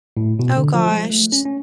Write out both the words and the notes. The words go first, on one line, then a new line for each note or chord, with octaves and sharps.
Oh gosh.
A2
B2
D3
F3
G#3
A3
C#4
C#4